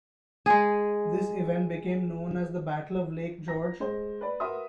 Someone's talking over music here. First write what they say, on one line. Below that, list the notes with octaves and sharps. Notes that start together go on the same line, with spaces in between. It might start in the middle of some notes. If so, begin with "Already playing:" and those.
This event became known as the Battle of Lake George.
G#3 G#4
A#5 A#6
G#3 C5
B4 D5 B5
F#4 A#4 B4 E5 C6 D#6